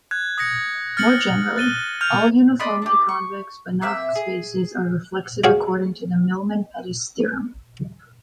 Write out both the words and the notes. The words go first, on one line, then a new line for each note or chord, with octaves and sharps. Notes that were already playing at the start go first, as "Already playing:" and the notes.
More generally: all uniformly convex Banach spaces are reflexive according to the Milman-Pettis theorem.
F#6 G#6
D#6 G#6 A#6 C#7
F6 A6 C#7 F#7
F#6 A6 D#7 G7
F6 G6 F7
D5 D#5 B5 C6
D4 G4
C#6
A#3 C4 E5
G#4
F#4 G#4 C#5 F5